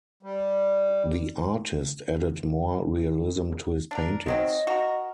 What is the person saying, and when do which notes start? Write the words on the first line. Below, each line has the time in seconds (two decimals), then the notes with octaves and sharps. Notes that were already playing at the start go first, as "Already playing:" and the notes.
The artist added more realism to his paintings.
0.23 G3
3.91 D4 A#4
4.26 D#3 F#3 C4 D#5
4.67 F#4 A#4